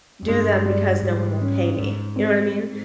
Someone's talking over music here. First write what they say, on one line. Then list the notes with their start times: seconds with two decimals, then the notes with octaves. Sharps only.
do them because no one will pay me. You know what I mean?
0.22 F2
0.28 G2 G#3
0.66 G3
1.03 G#2
1.41 C#4
1.79 G#2
2.16 C4